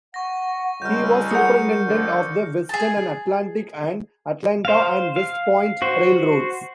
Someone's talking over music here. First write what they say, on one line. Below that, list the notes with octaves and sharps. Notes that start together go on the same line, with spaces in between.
He was superintendent of the Western and Atlantic and Atlanta and West Point Railroads.
F#5 C#6 A#6
C#2 G3 F6 G6
G#4 A#4 F#5 G6 C#7
F2 D3
G#4 A5
C5 F5
F5
F#4 C5